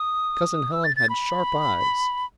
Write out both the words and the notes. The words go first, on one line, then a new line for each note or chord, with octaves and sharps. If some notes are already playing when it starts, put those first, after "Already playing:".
Cousin Helen had sharp eyes.
Already playing: D#6
E6
A6
A6
B5